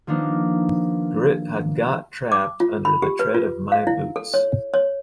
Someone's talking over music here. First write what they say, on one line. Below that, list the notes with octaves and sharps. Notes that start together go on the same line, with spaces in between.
Grit had got trapped under the tread of my boots.
D#3 F3 A#3 B3 D4 D#4
D6
F4
B5
G4
B4
F4
F5
E4
A4
C#5
C#5